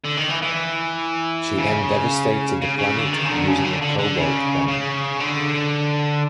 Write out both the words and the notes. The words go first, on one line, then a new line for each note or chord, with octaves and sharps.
She then devastated the planet using a cobalt bomb.
D3
D#3
E3
E3
C#3
C#3
C#3
D3
D#3
C#3
D3
C#3
D3
D3
D3
C#3
C#3
D3